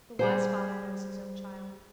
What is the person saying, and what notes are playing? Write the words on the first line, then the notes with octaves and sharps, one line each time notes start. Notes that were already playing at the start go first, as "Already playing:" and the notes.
The wise father knows his own child.
G3 G#4 C5